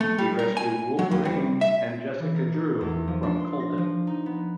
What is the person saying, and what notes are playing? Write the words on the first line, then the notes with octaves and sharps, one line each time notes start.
He rescued Wolverine and Jessica Drew from cultists.
A3
G3
A#4
G#5
F#3
D#2
G3
E5
E3
A#4
D#4
E2
F3
D4
C6
A#6
F3
D#4
B3